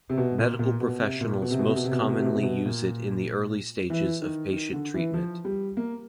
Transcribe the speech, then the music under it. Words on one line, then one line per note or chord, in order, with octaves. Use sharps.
Medical professionals most commonly use it in the early stages of patient treatment.
C3
B2
A#2
A#2
B2
C3
A#2
B2
C3
B2
C3
B2
C3
B2
C3
B2
C3
B2
C3
B2
A#2
E3
D#3
D#3
D3
E3
F3
G3
A#3